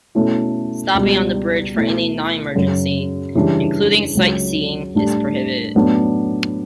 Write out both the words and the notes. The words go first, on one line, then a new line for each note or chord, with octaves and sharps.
Stopping on the bridge for any non-emergency, including sightseeing, is prohibited.
B2 A3 C#4 E4
C#2 B2 G3
B2 A3 E4
F#2 C#3 F#3 C#4
C#3 E3 G3 D4
C#2 C#3 F#3
A2 G3 D4
A2 F#3 B3 D4